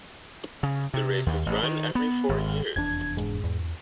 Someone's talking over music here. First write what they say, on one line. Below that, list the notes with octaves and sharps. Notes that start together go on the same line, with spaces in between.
The race is run every four years.
C#3
C3
D#2
A1
D#3
B3
G#1
F1 E2 D4 G#6
G#2
E2